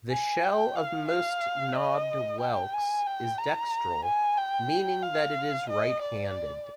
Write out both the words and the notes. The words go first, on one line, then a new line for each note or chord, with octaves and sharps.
The shell of most knobbed whelks is dextral, meaning that it is right-handed.
G#5
G5
F5
F5
D#5
G5
G#5
G5
A#5
G#5
G5
F5
D#5
D5